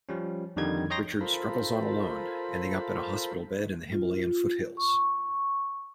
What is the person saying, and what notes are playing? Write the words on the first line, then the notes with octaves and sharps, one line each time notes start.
Richard struggles on alone, ending up in a hospital bed in the Himalayan foothills.
F3 G3 C#4
F2 D3 D#3 G3 D#4 G#6
C#5 D#5 G5 A#5 C6 A#6
F4 A4 A#4 C5 B5
F4
C#6